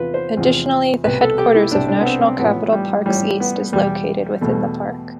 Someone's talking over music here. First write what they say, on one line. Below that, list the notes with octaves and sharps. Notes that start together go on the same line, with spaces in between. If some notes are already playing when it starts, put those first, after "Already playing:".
Additionally, the headquarters of National Capital Parks-East is located within the park.
Already playing: E2 C3 F3 F4 B4
C5
E2 C3 F3
C2 B2 B4
A4
G4
E4
C2 B2 D4
D4
B3
C4
C4
A1 A2 F3 B3
G3
A1 A2 F3 G3
B3
E2 B2 G3
E2 B2 A3